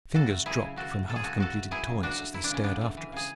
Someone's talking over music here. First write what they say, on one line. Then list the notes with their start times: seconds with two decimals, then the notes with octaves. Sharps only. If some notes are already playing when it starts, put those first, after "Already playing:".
Fingers dropped from half-completed Toys as they stared after us.
0.15 C#3 F#4 A4
0.30 A3
0.46 F#3 E4 G#4
0.62 C#3
0.76 C#3 F#4 A4
0.93 A3
1.09 F#3 A4
1.16 G#4
1.24 C#3 F#4 A4
1.38 C#3 F#4 A4
1.56 A3
1.71 F#3 E4 G#4
1.87 C#3
2.03 C#3 D4 F#4
2.18 A3
2.34 F#3 E4
2.44 D4
2.50 C#3 C#4
2.64 C#3 B3 D4
2.81 A3
2.97 E3
3.12 C#3 G#4